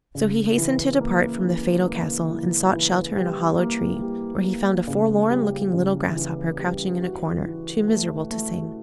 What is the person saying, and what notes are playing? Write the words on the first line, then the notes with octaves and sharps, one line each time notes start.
So he hastened to depart from the fatal castle, and sought shelter in a hollow tree, where he found a forlorn looking little Grasshopper crouching in a corner, too miserable to sing.
C#3
E3
A#3
E3
A#3
E3
E3
G3
A#3
G3
A#3
C#3
G3
C#3
E3
G3
F#4
E3
A3
A3